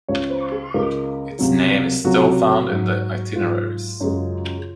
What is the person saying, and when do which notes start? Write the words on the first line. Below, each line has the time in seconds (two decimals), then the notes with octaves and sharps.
Its name is still found in the Itineraries.
0.08 C#2 C#3 G#3 C#5
0.30 C5
0.52 G#4
0.74 C#2 C#3 G#3 A#4
1.39 C#2 C3 F#3
2.04 C#2 C3 F#3 F#4
2.69 G#2 F#3
3.36 G#2 F#3 F4
4.00 F#2 C#3 G#3